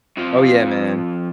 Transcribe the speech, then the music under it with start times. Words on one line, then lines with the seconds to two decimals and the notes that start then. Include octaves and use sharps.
Oh, yeah, man.
0.17 F2 F3